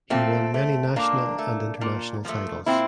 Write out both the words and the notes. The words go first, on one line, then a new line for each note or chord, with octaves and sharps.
He won many national and International titles.
A#2 A3 C4
A3
A#2 A#3 D4
A3
A#2
F3 A3
A#2 C4 E4